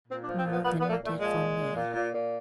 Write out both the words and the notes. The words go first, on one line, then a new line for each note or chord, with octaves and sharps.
"More than you did for me?"
A#2 C4
D4
F3
C4
A#2 B3
A#2 B3
B3
A#2 A3
A#3
A#2 A3
F3 G#3
A#2
A#2
A#2
A#2
A#2